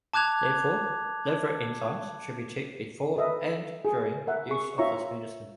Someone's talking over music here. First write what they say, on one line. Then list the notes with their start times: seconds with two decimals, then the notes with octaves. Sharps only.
Therefore, liver enzymes should be checked before and during use of this medicine.
0.14 A5 D6 F#6 G#6 F7
3.16 A4 B4 D#5 E5
3.85 G#4
4.27 A#4 E5 F#5
4.49 G#4 C#6
4.78 F4 C#5 E5 A#5 C#6